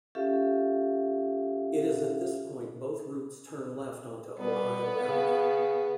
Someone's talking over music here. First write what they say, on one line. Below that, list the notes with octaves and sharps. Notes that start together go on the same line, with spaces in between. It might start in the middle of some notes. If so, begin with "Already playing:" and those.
It is at this point both routes turn left onto Ohio Avenue.
C#4 F4 G4 A4 E5 F5
G3 B3
C#3